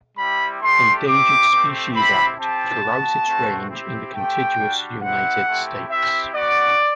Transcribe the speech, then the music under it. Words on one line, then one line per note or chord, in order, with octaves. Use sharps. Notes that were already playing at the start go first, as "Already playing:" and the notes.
Endangered Species Act throughout its range in the contiguous United States.
G3 C4 E4 G4 B5
A3 D4 G4 C6
C4 E4 G4 D6
A3 C4 G4
C4 E4 G4 B5
C4 G4 A5
B3 F#4
A3 C4 F#4
C4 E4 G4
A3 C4 G4 G5
G3 D4 F#4
C4 E4 G4 F#5
A3 C4 E4 G4
C4 E4 G4 E5
B3 F#4 D5